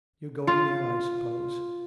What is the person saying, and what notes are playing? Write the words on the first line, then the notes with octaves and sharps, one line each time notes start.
You're going there I suppose.'
F4